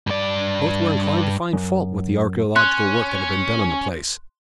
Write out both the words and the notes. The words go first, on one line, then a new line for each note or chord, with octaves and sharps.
Both were inclined to find fault with the archaeological work that had been done on the place.
G2 D5
F#2
C#4 C6 F#6